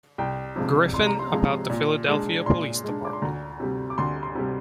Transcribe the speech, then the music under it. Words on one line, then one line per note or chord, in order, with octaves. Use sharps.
Griffin about the Philadelphia Police Department.
C2 G5
C3 F3 G#3
C2 C6
A#5
C6
C3 F3 G#3
A#2
G#3 D4
A#2 C6
G#3 D4
D6
C6
D2 A#5
C3 G3
D6
D2 C6
C6
C3 G3